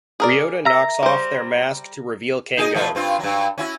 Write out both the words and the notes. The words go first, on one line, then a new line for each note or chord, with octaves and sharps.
Ryota knocks off their mask to reveal Kengo.
G#4 A#4 D5
E5 A#5
G3 C5
D#4 G#4 D#5
B2 F3 A3
G2 C4 F4
G2 F#3
C#4 E4 F#4